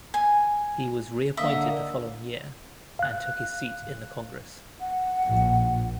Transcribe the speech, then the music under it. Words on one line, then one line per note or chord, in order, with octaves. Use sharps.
He was re-appointed the following year, and took his seat in the Congress.
G#5
D3 A#3 D#5 E5
F5 F#6
F#5
A#1